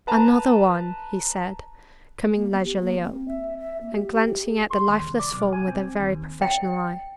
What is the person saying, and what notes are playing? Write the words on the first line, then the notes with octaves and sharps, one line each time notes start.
"Another one!" he said, coming leisurely up, and glancing at the lifeless form with a very professional eye.
B4 A5 A#5
A#3
B3
G4
A#3
C4
E5
E5
A#3
G4
G4
G4
G#4
C6
D#2
C2
D5
B1
G#5
C4
D#2
G5